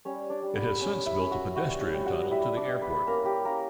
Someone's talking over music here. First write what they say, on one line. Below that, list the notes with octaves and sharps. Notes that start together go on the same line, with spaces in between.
It has since built a pedestrian tunnel to the airport.
G3 C#4 C#5
D4 D5
G3
B3 B4
C#4
E4 E5
C#4
F#4 F#5
G3 F#4 F#5
F#4 F#5
G3
F#4 F#5
G3 E4 E5
D4 D5
E4
B3 B4
A#3 C#4 A#4
G4
A#3 C#4 A#4